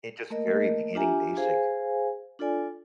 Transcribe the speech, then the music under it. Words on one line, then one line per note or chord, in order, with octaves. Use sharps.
it just very beginning basic
A3 A#3 A#4 D#5
D4 F4 G4 E5 G#5 A#5
G#4 C5 F5 G#5
D4 F4 A4 D5 G#5